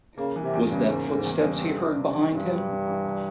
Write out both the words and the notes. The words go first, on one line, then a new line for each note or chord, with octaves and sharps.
Was that footsteps he heard behind him?
C#3 A#3
E3
C3
E2
G2
C#3
G#2 A#3
E3
G#2
E2
G2
C#3
C4
G3
C3
E3
G2 C4
G3
C3
E3
C2